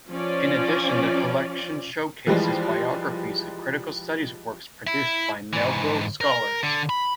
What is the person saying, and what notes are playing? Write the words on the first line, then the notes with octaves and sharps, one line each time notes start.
In addition, the collection showcases biographies and critical studies works produced by Melville scholars.
F3 C#4 D5
E3 F3 G3 G#3
E4
G#2 E3
A#4
D3
B5